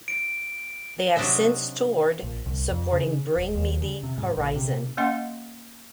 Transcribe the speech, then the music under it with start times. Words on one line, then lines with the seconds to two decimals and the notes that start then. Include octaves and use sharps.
They have since toured supporting Bring Me the Horizon.
0.08 D7
1.16 C3 F#3 D4 D#4 D#5 E5
2.23 A#1
2.46 C2
2.70 F2
2.92 C#3
3.36 D1
3.55 D#2
3.81 C#3
4.03 C3
4.18 G#2
4.37 A#1
4.56 C3
4.97 A#3 C#4 D#5 F#5 C6